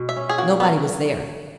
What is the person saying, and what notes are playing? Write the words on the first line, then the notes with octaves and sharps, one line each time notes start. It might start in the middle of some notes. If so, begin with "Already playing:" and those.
Nobody was there.
Already playing: B2 G#3
E5
C#4
G#4
A#3 F#4
B3 C#4